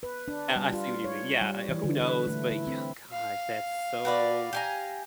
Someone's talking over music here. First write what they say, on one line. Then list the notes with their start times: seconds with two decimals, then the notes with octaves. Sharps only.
I I see what you mean, yeah, uh, who knows? But, yeah, gosh, that's so
0.03 B4
0.28 D4
0.56 G3
0.73 F4
1.04 C#5
1.41 G3
1.69 E3
1.84 D3
2.00 B4
2.27 A3
2.50 E4
2.67 C4
3.11 F5
4.05 F#4 B4 D5
4.53 G4 G#5 A#5